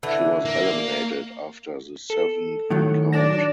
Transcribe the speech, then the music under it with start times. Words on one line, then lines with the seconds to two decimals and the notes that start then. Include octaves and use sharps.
She was eliminated after the seventh count.
0.03 D3 E3
0.45 A#3
2.10 A4
2.70 A2 D#3 F#3
3.12 D4 D5 A#6 E7